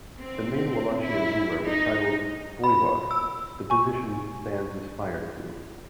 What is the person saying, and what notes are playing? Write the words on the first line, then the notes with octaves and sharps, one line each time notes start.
The main Wallachian ruler was titled voivod, the position bans aspired to.
C4
E4
D#4
B5
E6
G#5 C#6